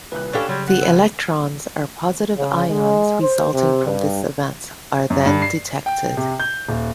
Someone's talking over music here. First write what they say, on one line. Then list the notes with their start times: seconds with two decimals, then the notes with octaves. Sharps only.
The electrons or positive ions resulting from this event are then detected.
0.12 D#1 C2 B4 F#6
0.33 C#4 D4 G4 A4 F5 B5 A6
0.49 C#3 F#3 G3 C6 G6 G#6
0.68 F#2 G3 F#5
0.81 B3 E5
0.94 G#3
2.37 C#3
2.70 G#3
3.21 C5
3.53 C3
3.85 G2
5.10 F#2
5.26 G2
5.42 C7
5.86 G5
6.17 C3
6.40 G6
6.68 D#1